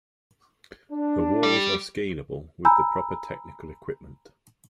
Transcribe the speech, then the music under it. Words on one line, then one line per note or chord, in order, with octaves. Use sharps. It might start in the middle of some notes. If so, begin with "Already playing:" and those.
The walls are scalable with the proper technical equipment.
D4
G3
G#5 A#5 B5 E6 G6